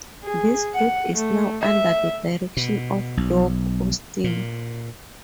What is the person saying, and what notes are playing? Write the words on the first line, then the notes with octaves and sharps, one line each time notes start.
This group is now under the direction of Doug Austin.
G#4
F#5
A3
E5
B2
B1
A#2